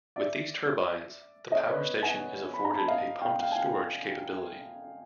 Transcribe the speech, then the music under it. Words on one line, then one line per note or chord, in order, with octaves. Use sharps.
With these turbines, the power station is afforded a pumped-storage capability.
D5 E5
C#5 D#5
B4 C#5
F#5 G#5
B5
A#5
A5 B5
D#5 F5
F5 G5
F5 G5
G#5
F5 G5